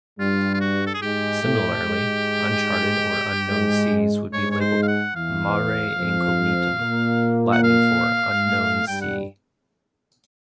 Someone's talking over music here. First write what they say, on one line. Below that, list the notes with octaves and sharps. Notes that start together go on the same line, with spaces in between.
Similarly, uncharted or unknown seas would be labeled mare incognitum, Latin for "unknown sea".
G2 G3 F4
F4
F#4
A4
G#4
G#2 G#3 G4
A2 A3
G#2 G#3
G#2 G#3
G#2 G#3 C#5
C#5
C5
F5
F#5
E2 E3 F5
F2 F3
A#2 A#3
F#5
F5
A2 A3
G2 G3 G5
F#5